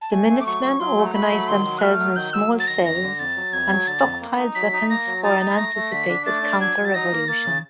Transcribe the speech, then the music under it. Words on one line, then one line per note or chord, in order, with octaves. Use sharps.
The Minutemen organized themselves into small cells and stockpiled weapons for an anticipated counter-revolution.
A5
A3 G#5
A3
D6
F#3 C#6
F#3
F#3 C6
A3
A#5
A3 B5
F#3
D#3 C6
F#3
F#6
A3 F6
F#3
D#3 G6
F#3 E6
F#3
A6
D#3 A#6
F2 A#6
D3
F2 A6
F#3
F2 G#6
F#3
D3 A6
F2
A#3
D#4
F#3 B6
D#4
A#3 A#6
F#3
D#4 A6
D#4
A3 A#6
A3
D3 B6
D4
A3 A6
D4
F#3 G#6
F#3
A6
D#4 A#6
A#3
A#3 A6
C#3